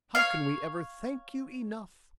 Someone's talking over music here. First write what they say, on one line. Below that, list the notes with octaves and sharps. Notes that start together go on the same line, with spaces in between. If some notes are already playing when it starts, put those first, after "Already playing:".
"How can we ever thank you enough?"
C#5 F5